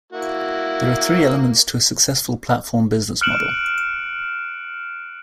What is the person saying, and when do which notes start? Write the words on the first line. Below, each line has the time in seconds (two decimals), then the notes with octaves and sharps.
There are three elements to a successful platform business model.
0.13 A#3 E4 F#4
3.21 F6 F#6 C#7 D7 E7 F#7